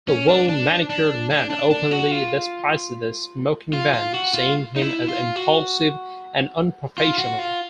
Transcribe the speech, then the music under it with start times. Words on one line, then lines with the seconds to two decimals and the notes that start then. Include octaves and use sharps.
The Well-Manicured Man openly despises The Smoking Man, seeing him as impulsive and unprofessional.
0.08 C#4
0.29 D4
0.49 D4
0.90 D4
1.30 D4
1.50 D4
1.71 D4
1.91 F#4
2.11 F4
3.73 F4
3.94 F4
4.14 F#4
4.34 F4
4.76 D#4
4.82 E4
5.08 F4
5.36 F#4
6.98 F4
7.18 F#4
7.39 F4